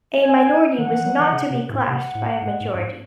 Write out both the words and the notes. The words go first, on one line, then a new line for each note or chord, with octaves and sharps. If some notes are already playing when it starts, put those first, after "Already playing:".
A minority was not to be clashed by a majority.
G#5
D#3 F#5
E3
F#3
E3
C#3
C3
A2
C3 F#5
A2
G#2
G#2
F#2
G#2